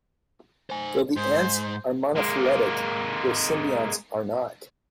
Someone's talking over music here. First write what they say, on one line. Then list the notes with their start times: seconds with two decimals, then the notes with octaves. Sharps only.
Though the ants are monophyletic, their symbionts are not.
0.70 C5 G#5
1.17 G#2 C5
2.16 G#3 A#3